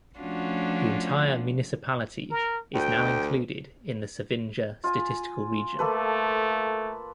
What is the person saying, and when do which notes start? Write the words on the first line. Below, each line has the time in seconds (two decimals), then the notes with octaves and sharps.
The entire municipality is now included in the Savinja Statistical Region.
0.19 F3 A3 C#4 D4 F4 F#4
2.31 A#4
2.75 D2 G5
4.84 F4 G#5
5.79 A3 A#3 A4 B4